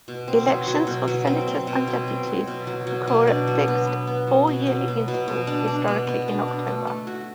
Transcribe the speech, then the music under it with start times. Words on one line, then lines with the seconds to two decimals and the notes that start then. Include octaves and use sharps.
Elections for Senators and Deputies occur at fixed four-yearly intervals, historically in October.
0.08 B2
0.28 C4
0.48 F#3
0.68 F#3
0.87 B2
1.08 F#3
1.27 C4
1.48 C4
1.67 B2
1.87 F#3
2.08 C4
2.27 F#3
2.47 B2
2.67 F#3
2.87 F#3
3.08 B2
3.27 D4
3.47 F#3
3.68 B3
3.87 B3
4.07 B3
4.27 F#3
4.47 B2
4.67 F#3
4.88 B3
5.08 B2
5.28 B2
5.47 D4
5.68 D4
5.88 B3
6.07 B2
6.28 D4
6.48 D4
6.67 A3
6.87 A3
7.07 F#4